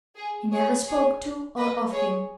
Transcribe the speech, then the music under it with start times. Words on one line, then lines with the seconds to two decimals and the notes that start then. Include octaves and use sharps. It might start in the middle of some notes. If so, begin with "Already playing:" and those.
He never spoke to or of him.
0.16 G#4
0.51 G#4 C#5
0.87 G#4 C#5
1.57 B4 D#5
1.93 G#4 C#5